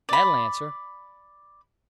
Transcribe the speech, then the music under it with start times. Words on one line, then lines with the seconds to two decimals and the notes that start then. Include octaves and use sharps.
That'll answer.
0.09 D5 B5